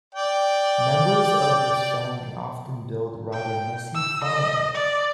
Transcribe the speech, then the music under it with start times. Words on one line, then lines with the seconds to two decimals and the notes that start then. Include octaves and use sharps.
Members of this family often build rather messy funnel-webs.
0.15 D5 G5
3.33 G5
3.95 E6
4.25 D#5
4.74 D5